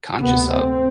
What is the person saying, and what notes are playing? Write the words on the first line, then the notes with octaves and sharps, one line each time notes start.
conscious of.
D2 C3 B3
C4